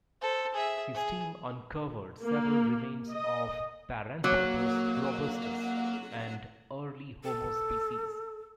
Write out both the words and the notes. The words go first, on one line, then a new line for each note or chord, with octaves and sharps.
His team uncovered several remains of "Paranthropus robustus" and early "Homo" species.
A4 C5
G#4 E5
G#4
A#3
D#5
F#3 A#3 C#5 D6
A4